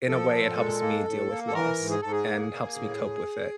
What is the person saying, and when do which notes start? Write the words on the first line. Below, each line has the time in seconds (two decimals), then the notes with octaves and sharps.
in a way it helps me deal with loss, and helps me cope with it.
0.08 F3 A4
0.32 A#2
0.56 G#3
0.81 A#3
1.05 A2
1.30 A#3
1.47 A4
1.54 E3 A#4
1.78 G#2
1.90 G#4
2.02 G#2 A4
2.12 G#4
2.28 A#3
2.52 A#3
2.76 A2